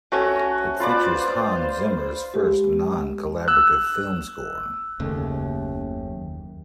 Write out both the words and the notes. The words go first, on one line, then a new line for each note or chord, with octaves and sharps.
It features Hans Zimmer's first non-collaborative film score.
A3 C#4 F#4
F4 B4 C5 D5
G#3 G4
E6 F#6
F#1 D#2 C#3 A3